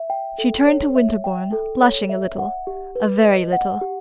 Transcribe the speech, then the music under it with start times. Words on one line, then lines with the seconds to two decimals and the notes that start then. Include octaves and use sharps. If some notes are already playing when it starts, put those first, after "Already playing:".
She turned to Winterbourne, blushing a little--a very little.
Already playing: E5
0.10 G5
0.38 A4
0.67 C#5
0.96 E5
1.24 G5
1.52 A4
1.81 C#5
2.09 E5
2.39 F#5
2.67 G4
2.95 B4
3.24 D#5
3.53 F#5
3.81 G4